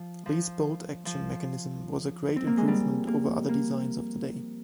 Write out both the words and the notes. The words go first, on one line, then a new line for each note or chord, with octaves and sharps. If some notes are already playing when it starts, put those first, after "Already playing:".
Lee's bolt action mechanism was a great improvement over other designs of the day.
Already playing: F3
F3
F3
C4
A#3
G#3
G3
A#3
A#3